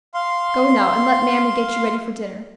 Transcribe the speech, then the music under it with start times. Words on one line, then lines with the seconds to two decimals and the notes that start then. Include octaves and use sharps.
"Go now and let mammy get you ready for dinner."
0.14 F5 C6